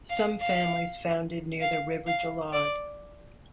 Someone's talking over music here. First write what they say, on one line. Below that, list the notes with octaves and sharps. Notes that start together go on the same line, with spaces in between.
Some families founded near the River Jalaud.
F5
F5
F5
F5
D5